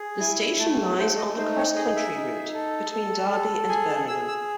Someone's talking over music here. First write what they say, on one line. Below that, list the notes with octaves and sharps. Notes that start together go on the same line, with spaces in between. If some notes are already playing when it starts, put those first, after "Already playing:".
The station lies on the Cross Country Route, between Derby and Birmingham.
Already playing: G#4
E4 G#5
A3 A5
A3 C5
D#5
D#4 C5
C#5
G#4 D#5
E5
D#4
A4
A4
A4
G#4 G#5
A5
G#4 E6
E6